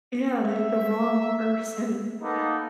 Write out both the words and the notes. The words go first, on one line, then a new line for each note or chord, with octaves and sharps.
Yeah, like the wrong person.
E5
A#3 B3 D#4 A4